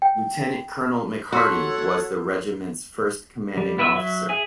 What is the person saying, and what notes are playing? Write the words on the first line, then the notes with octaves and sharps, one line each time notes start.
Lieutenant-Colonel McHardy was the Regiment's first commanding officer.
G5
F#4 A4 C#5 F#5 C6 E6 B6
G3
B3 E4 B4 E5 E6
F#3 E5
G#4 E5 G#5